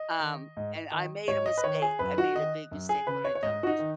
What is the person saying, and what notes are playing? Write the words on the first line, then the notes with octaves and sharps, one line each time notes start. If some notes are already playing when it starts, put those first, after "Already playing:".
Um, and I made a mistake; I made a big mistake when I dumped
Already playing: D#5
D#3
G#2
D#3
G#2 C#5
D#5
B4
D#3 C#5
G#4
F#2 B4
F#4
D#3 D#5
F#2
G#4
C#3 B4
C#5
C#5
G#2 D#5
F#4
D#4
D#3